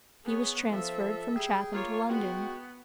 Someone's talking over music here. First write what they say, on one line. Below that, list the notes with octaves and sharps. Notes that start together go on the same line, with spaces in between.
He was transferred from Chatham to London.
B3 G#4 C#5
F3 A4 E5
G3 G#4 G5
A#3 F4 C#5
G#3 B3 F#4 G5